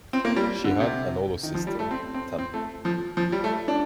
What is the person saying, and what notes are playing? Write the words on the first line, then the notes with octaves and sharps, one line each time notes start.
She had an older sister, Tammy.
C4
A#3
G3
D3
C3
D#3
F3
G3
A3
C4
C4
C4
A3
F3
F3
G3
A3
D4